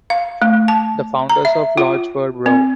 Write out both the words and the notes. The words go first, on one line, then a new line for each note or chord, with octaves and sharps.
The founders of the lodge were Bro.
F5
A3
A5
A#5
E5
F4
C4